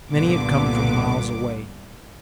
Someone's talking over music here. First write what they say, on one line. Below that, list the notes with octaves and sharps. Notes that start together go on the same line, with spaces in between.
Many had come from miles away.
C2 G2 A#2 D3 B3 D6